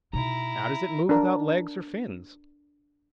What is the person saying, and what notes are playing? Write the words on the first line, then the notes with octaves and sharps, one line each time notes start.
How does it move without legs or fins?
B2 D#4 E4 A#5
D4 A#4